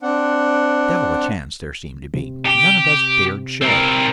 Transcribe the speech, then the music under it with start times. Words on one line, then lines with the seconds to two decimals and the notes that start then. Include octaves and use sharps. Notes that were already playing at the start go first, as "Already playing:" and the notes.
Devil a chance there seemed to be; none of us dared show.
0.02 C4 D4 F#5
2.14 C3
2.46 G4
3.62 C4 A#4